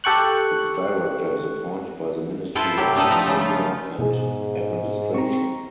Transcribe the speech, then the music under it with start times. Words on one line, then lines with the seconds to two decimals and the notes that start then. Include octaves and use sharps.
Its director is appointed by the Ministry of Interior and Administration.
0.04 G4 A4 G5 C#6 F#6
2.55 E4 F4 A4 B4 C5
2.78 C3 F#3 E4 G4
2.95 A3 D4 D#4 A4 B4
3.11 F3 B4 A#5
3.26 C#3 A3
3.41 F4
3.99 G#2 B2 G#4
5.14 C4 A#5 C#6